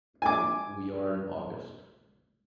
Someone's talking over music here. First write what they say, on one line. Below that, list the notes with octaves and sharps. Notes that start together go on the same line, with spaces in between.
We are in August.
G#5 D6